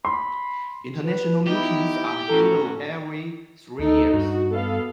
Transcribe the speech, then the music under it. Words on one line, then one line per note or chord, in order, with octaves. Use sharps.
International meetings are held every three years.
B5 C6
B4
B3 D#4 E4 G4
A2 C#4 F#4 A4 A#5
D2 D#4 A4
G2 F#4
B3 A4 F5